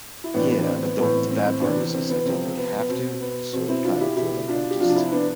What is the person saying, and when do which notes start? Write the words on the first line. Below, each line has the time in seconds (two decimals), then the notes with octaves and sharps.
Yeah, but the the bad part is is I don't really have to, so I kinda feel like I'm just
0.24 E4
0.34 A2 E3 B3 D4
0.50 B3
0.61 D4
0.66 C4
0.83 B3
0.98 A2 E3 B3
1.14 C4
1.30 C4
1.46 C4
1.62 C3 E3 B3 D4
1.78 C4
1.94 C4
2.09 B3
2.25 C3 F3 C4
2.57 B3
2.78 B3
2.89 B2 C4
3.21 B3
3.53 B2 C4
3.68 C4 E4
3.85 D4 F4
4.01 E4 G4
4.16 B2 E4 G4
4.48 D4 F4
4.70 G4
4.80 C3 F3 D4 F4
4.90 D4
4.96 C4 E4
5.12 B3 D4